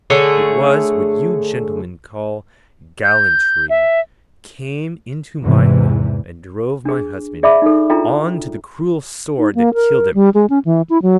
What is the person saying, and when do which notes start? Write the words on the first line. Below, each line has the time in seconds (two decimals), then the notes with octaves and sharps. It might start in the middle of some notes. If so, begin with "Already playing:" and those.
It was what you gentlemen call gallantry came into my home, and drove my husband on to the cruel sword that killed him.
0.10 D3 A3 G#4 C#5
3.04 G6
3.70 E5
5.41 E2 G#2 C3 E3
6.85 D4 G#4
7.43 G#4 D5 E5 B5 D6
7.62 D#4 A4
7.90 D4 E4 F4 A4 G5 A#5
9.38 D#4
9.55 A#3
9.74 A#4
10.14 G3
10.34 G#3
10.50 C#4
10.65 E3
10.90 E4
11.02 F#3